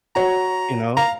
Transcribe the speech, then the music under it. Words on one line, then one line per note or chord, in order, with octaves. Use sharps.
you know?
F#4 C#5 A#5
F5 A#5